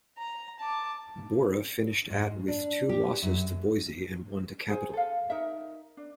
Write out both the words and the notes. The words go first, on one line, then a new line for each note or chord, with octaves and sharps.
Borah finished at with two losses to Boise and one to Capital.
A#5
A5 D6
G#2
D4
G4
F#2
G#4 C5 G#5
A4 F5
D#4 A#4 E5
D4